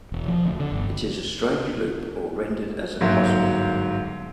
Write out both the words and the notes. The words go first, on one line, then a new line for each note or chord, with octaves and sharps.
It is a strange loop or rendered as a puzzle.
E1
F3
D2
D3
G1
G1 G#2 F#3 A#3 E5